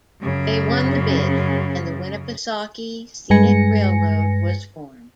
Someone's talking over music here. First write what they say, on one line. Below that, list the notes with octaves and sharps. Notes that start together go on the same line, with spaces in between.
They won the bid, and the Winnipesaukee Scenic Railroad was formed.
F#2 C#3
G2 G#3 B4 G#5 A#6 C#7